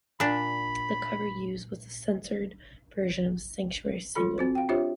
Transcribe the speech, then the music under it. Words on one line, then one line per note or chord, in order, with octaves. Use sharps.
The cover used was the censored version of the "Sanctuary" single.
A#2 D4 B5
E3 F4 A4 B5
C4 F#4 C5
F5 G5
D4 F4 G4 C5 C#5 E5